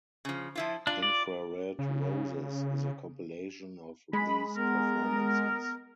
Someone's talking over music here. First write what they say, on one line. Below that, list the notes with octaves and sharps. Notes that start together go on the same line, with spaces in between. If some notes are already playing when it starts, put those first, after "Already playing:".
"Infrared Roses" is a compilation of these performances.
C#3 F3
F3 E4 F4
D4 F4
D5
C#3
G#3 B5
B3 A#4